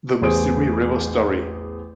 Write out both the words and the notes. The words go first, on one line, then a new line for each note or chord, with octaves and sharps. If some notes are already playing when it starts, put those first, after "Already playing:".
The Missouri River Story.
A1 E2 G#4 C5 D#6 D7